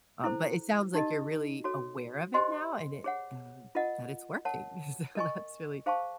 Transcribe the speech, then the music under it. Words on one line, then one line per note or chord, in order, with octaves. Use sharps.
um, but it sounds like you're really aware of it now and it, uh that it's working, so, that's really
E4 A4 C5
D#4 G4 A#4 D#5
F#4 A4 C#5
G4 C5 D#5 G#5 C6
G#4 C#5 F#5
F4 A#4 D#5 F#5
A#4 C#5 F#5 A5
A#4 D#5 G#5 C#6
G#4 C5 F5 A5 C#6